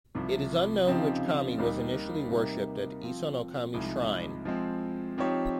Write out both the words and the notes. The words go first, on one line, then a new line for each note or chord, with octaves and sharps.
It is unknown which kami was initially worshipped at Isonokami shrine.
C2 C3 F3
C#3 F3 C4 D#4 G4
D#2 D#3 G3 A#3 D#4
C3 G3 A#3 D#4
F3 C4 F4
C2 C3 F3 G#3 D#4
F3 G#3 C4
F3 C4 D#4 G4 C#5